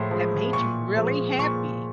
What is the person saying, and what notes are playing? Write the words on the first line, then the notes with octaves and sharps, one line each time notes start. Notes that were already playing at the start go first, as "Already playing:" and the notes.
that made you really happy?
Already playing: A2 F3 G#3 C6
F3 G#3
A#2 C#6
F3 G#3
A#2 C#6